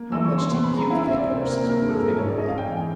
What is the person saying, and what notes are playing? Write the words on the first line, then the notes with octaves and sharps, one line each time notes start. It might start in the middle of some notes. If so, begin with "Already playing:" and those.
"How much do you think horses are worth, anyway?"
Already playing: A#3
E3 E6
C#6
C4
C6
B3 C6
B5
G#3
A#5
E4 F5
E5
C4
D5
C3 C5
A#4
A#3
A#4
G2 A#4
G#3 A4
A#4
G#2
C#5
G#3 D5
D#5
F2 F5
G5
E3 G#5
G5